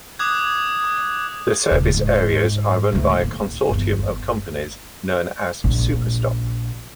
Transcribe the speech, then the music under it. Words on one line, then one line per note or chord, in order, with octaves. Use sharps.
The service areas are run by a consortium of companies known as Superstop.
D6 D#6 F#6 G#6
D#1 C#2
G#2
D2 G#2
A#3
G1 E2
A#1